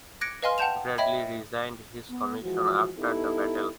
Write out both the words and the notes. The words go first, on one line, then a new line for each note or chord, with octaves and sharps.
Bradley resigned his commission after the battle.
D6 F#6 G#6 A#6 C#7 D7
B4 D#5 F5 G#5 C6 F6
F#5 G5 A5 G6 E7 F7
C#5 D#5 E5 G5 B5 G#6
B3
E3 F3 G#3 F#4
B3 D#4 E4 G4 A4